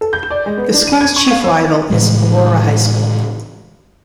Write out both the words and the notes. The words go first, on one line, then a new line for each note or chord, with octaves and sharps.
The school's chief rival is Aurora High School.
A4
G6
D5
G#3
B3
D4
D#7
G#6
C#6
F5
E6
A2 C#3 E3 G#3